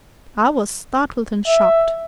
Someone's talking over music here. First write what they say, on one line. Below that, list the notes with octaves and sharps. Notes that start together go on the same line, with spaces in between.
I was startled and shocked.
E5